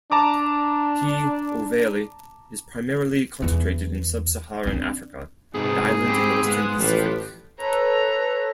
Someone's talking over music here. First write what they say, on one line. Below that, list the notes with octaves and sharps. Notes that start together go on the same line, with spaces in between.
"P. ovale" is primarily concentrated in sub-Saharan Africa and islands in the western Pacific.
D4 A5 A#5 D6
E2 B3
C4 D4
G#2 C3 B3 D#4 G#4
C4 G4 B5
G#3 B3 F#5
A1 F3 G4 B4
A4 B4 C#5 A#5